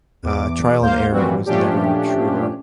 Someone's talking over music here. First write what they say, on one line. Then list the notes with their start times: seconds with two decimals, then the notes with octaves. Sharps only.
uh, trial and error was never truer
0.23 E2 D6
0.80 D#2 A#3 C5 F5 G6
1.11 A2 E3 F3 G3 C4 F#4
1.46 A#2 F3 A3 C#4 D4 G4